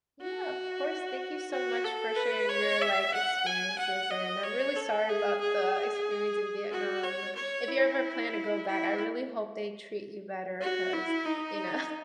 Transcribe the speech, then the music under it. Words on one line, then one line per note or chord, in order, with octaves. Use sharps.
Yeah, of course, thank you so much for sharing your, like, experiences, and I'm really sorry about the experience in Vietnam. If you ever plan to go back, I really hope they treat you better 'cause, you know
F#4
F#4
A4
B4
C#5
E5
F#5
G#5
F#5
D#5
C#5
A4
G#4
G#4
F#4
C#5
C#5
E4
E4
F#4
E4
D#4